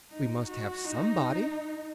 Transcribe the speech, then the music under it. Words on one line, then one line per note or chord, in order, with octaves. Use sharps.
"We must have somebody!"
D#4
F#4
D#4